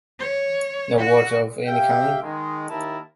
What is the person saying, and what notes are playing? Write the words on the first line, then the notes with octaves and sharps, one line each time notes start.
No word of any kind?
C#5
F#4
G4 E5 F5 G5
D#3 G#3
D#2 E4 A#4 A5